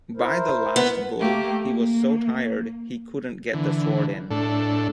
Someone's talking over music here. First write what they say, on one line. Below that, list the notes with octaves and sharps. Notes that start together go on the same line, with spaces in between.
By the last bull he was so tired he couldn’t get the sword in.
E4 A#4 C5
B3
A3 A#3 G4
A#3
D3 E3
A2 D4 A4